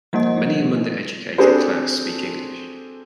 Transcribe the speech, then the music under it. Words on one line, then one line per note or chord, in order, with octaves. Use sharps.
Many among the educated class speak English.
F3 G3 A#3 D#5
C4 D4 F#4 G#4 A4 C5